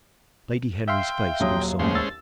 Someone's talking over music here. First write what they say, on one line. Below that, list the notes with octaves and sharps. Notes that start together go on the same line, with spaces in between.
Lady Henry's face grew sombre.
E5 F5 G5 C6
D#1 F#3 D#6
A1 D#2 G#3 C#4 C5
E6 A6